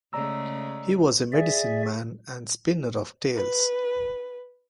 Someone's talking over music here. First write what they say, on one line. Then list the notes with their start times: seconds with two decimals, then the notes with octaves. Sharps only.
He was a medicine man and spinner of tales.
0.13 C#3 G#3 A3 D5 A#5 E6
1.33 G#4 D5 E5
3.36 B4